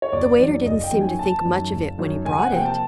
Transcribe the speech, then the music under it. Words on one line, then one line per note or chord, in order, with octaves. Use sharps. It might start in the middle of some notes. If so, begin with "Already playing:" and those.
"The waiter didn't seem to think much of it when he brought it."
C#5
F#1 D5
F#2 D#3 F#3
F#1 D#5
G5
F#2 D#3 F#3
G#5
F#1 A5
F#2 D#3 F#3
F#1
F#2 D#3 F#3
C#2 G#5
F#5
G#5
C3 F3 A#3 G5
A5